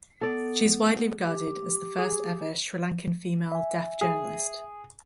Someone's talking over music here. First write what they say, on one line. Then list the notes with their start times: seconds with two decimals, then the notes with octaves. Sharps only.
She is widely regarded as the first ever Sri Lankan female deaf journalist.
0.21 B3 A4 D5
1.26 G4
1.98 G#4
3.52 E5 G#5
4.01 G#4